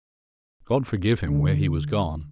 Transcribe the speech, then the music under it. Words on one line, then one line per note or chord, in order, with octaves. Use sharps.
God forgive him, where he was gone!
D3